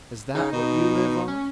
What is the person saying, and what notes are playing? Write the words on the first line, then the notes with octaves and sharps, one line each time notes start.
"Is that what you live on?"
C#3 D#4
B2
C#4